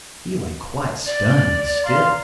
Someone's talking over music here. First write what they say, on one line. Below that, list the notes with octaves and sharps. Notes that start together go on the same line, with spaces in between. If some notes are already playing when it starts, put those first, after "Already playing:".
He lay quite stunned and still.
D5
F5 A#5 C6